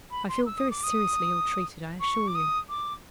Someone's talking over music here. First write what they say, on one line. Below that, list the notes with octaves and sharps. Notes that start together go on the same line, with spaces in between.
I feel very seriously ill-treated, I assure you.
B5
C6
E6
D#6
D6
D#6
C#6
D6
D#6
D6